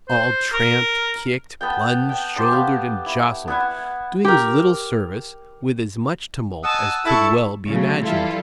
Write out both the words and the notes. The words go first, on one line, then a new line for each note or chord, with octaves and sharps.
All tramped, kicked, plunged, shouldered, and jostled, doing as little service with as much tumult as could well be imagined.
C5
A#4
B3 A4 G5
G5
G4 C5 A5 D#6
B3 G4 F5
E4
B3 E4 F#5 G#5
G4 A#4
D#5 F#5 G#5 A5 D#6 E6
E4 A4 A5 C#6
C#3 F#3 A3
E3 G3 E4 F4 A4